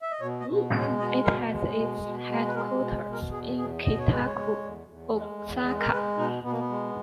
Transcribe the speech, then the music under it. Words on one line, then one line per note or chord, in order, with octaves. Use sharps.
It has its headquarters in Kita-ku, Osaka.
E5
D#5
B2 C#5
D#5
B2
G#3
C#5
B2 D#5
B2 A#4
G#3
B2
B2
G#3
B4
G#3 A#4
B2
B2
A#4
E2 G#4
E2 G#4
B2 D#5
C#5
G#3 B4
C#5
G#3
E2
E2
G#3
E2
G#3 D#5
A#4
G#3 B4
B2 D#4
B2 B3
A#3
B3
G#3